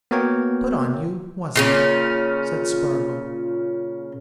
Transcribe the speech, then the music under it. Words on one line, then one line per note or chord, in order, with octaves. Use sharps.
"Put on you, was it?" said Spargo.
A#3 B3 F#4 A#4 C#5 G5
A#2 C#3 C#4